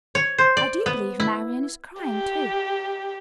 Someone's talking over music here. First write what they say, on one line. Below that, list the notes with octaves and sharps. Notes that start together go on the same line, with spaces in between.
I do believe Marian is crying, too.
C#5
C5
D5
B3
E4
G4